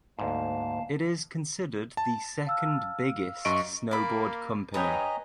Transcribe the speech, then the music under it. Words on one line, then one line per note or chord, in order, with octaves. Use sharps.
It is considered the second biggest snowboard company.
D2 G#2 A#3 F5 A5
A5
F5 E6 F6
F#2 D#5 C#6 D7
A#3 D5 B5
G2 B4 C#5 D#5 G5 G#5 A#5 D#6